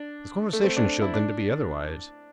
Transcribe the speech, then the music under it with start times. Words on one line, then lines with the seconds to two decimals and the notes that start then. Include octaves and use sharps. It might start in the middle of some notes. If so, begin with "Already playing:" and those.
His conversation showed them to be otherwise.
Already playing: D4
0.53 A3
0.64 C4
0.77 D4
1.02 E4
1.14 D4